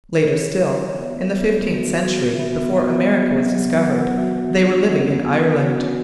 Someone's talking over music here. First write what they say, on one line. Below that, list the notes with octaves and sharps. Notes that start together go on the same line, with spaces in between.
Later still, in the fifteenth century, before America was discovered, they were living in Ireland.
E4 C#5
E4 D5
B3 E5
B3
F#4
F#4
B3 E5
B3
B3
F#3
F#3 F#5
F#4
D4
B3
B3 G#5
F#4